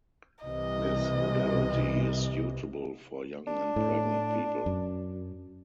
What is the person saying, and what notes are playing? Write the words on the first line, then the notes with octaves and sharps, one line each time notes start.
This modality is suitable for young and pregnant people.
C2 C3 E3 D#5
D4
A2
F#2